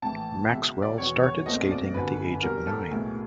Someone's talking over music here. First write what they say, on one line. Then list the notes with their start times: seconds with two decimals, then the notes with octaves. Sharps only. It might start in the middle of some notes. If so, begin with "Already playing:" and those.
Maxwell started skating at the age of nine.
0.02 A#1 A2 E3 A5
0.50 C#2 B2 F#3 E5
0.82 D5
0.98 E1 E2 B2 F#3 C#5
1.23 C#5
1.46 B1 A#2 F#3 A3 C4 D#5
1.71 D5
1.94 G1 F#2 D3 B4
2.42 E2 B2 G3 A#4
2.67 A4
2.91 B1 A2 F#3 A3 G#4